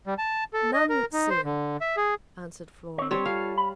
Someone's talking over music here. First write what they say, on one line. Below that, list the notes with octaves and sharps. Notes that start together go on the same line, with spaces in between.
'None, sir,' answered Flora.
G3
A5
A4
D#5
A#4
D#4
C5
D3
E5
G#4
C4 C#5
G3 C4 D4 C5 C#5
F4 A4 F5
B5